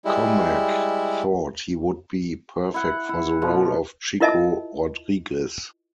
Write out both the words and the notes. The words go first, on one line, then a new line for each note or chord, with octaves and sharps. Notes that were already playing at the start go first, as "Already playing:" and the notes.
Komack thought he would be perfect for the role of Chico Rodriguez.
G3 G#3 E4
E4 F#5
E4
B2 F3
E4 F4 A#4 D#5 E5 A5